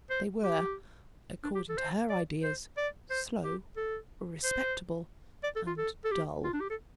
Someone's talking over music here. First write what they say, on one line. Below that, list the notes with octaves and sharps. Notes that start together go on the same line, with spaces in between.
They were, according to her ideas, slow, respectable, and dull.
C5
G4
D4
G4
A4
C5
D5
C5
D5
C5
G4
A4
C5
D5
A4
F4
A4
A4
G4
F4
D4
G4
A4